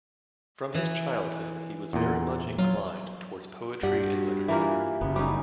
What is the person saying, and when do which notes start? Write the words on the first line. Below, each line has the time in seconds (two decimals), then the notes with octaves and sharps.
From his childhood he was very much inclined towards poetry and literature.
0.74 E3
1.93 E2 A#2
2.58 F#3 F4
3.83 G2 G4 D5 F#5
4.14 F#4
4.48 E3 A#3 F4 G4 E5
5.01 F#1 C#3 B3
5.16 G3 C#4 D#4 D6